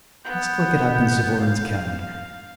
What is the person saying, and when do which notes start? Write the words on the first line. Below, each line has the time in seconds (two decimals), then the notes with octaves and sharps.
I must look it up in Suvorin's calendar.
0.25 B3 G6
1.41 F5